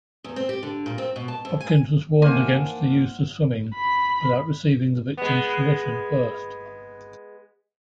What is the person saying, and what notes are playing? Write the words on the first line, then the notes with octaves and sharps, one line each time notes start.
Hopkins was warned against the use of "swimming" without receiving the victim's permission first.
E2
C4
G4
D3
A#2
C4
B2
A5
F2
G#5
D#3 E3 A#3 D4 C5 F5 F#5 G#5
B5
G#3 B3